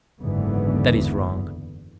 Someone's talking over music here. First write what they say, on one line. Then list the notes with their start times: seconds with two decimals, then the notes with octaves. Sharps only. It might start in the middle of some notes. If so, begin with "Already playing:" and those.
That is wrong.
0.21 F#1 E2 G#2 D3 E3 B3